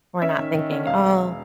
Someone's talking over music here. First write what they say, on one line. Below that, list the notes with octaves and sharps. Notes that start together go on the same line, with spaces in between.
we're not thinking, "Oh,
C#4 E5
D#3
D#3
C#4
E1 F5